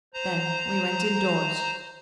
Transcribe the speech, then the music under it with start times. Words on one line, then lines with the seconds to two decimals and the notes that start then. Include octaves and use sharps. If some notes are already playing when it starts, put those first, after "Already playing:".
Then we went indoors.
0.14 C5 A#5